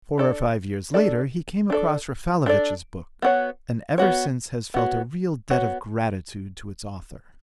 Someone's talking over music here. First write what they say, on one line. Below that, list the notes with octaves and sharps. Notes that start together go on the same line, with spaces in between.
Four or five years, later he came across Raffalovich's book, and ever since has felt a real debt of gratitude to its author.
D4 A4 D5
D4 A4 D5
D4 A4 D5
D4 A4 D5
B3 F#4 C#5
B3 F#4 C#5
B3 F#4 C#5
B3 F#4 C#5